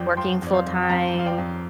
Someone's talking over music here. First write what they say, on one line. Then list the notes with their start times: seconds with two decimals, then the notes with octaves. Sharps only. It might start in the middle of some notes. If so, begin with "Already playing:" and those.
working full time
Already playing: F2 F3 C4 C5 D5 G5
0.17 F3 G5 C6
0.42 F2 D5
0.53 C5 F5
0.66 F2
0.82 G5
0.89 C4 F5 A#5
1.14 F3
1.19 F5
1.26 D5 G5
1.38 F2